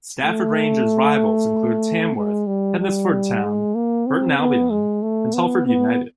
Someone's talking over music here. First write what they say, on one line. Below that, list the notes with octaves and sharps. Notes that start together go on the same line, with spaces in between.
Stafford Rangers' rivals include Tamworth, Hednesford Town, Burton Albion, and Telford United.
A3
G#3
G3
G3
G#3
A#3
C4
B3
G#3
A3
B3
B3